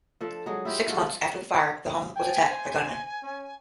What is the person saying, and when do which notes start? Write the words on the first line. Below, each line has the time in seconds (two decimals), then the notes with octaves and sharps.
Six months after the fire the home was attacked by gunmen.
0.21 F3 D4 A4
0.46 F#3 G#3 G#4
0.65 E4 F4 G4
0.87 G#3 F4 F#4 A4
2.16 G5 G#5
2.49 C5
3.23 C#4